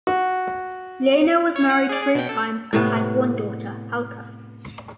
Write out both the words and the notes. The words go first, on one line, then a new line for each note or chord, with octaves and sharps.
Leino was married three times and had one daughter, Helka.
F#4
C#5
F#5
G#4 D5
G#4
B2 G5
A4
A2 C3 B3